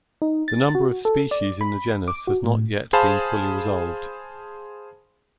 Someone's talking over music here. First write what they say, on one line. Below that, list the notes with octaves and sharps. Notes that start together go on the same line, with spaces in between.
The number of species in the genus has not yet been fully resolved.
D#4
A6
F#4
A4
D5
B5
D6
F#4
A2
G#4 C5 F5 A5 B5